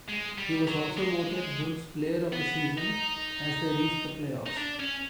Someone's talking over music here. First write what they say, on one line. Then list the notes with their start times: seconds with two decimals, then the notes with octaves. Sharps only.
He was also voted Wolves' Player of the Season as they reached the play-offs.
0.08 G#3
0.38 G3
0.68 F#3
0.97 G#3
2.33 B3
2.78 D#4
4.47 D#4
4.57 D4
4.80 C#4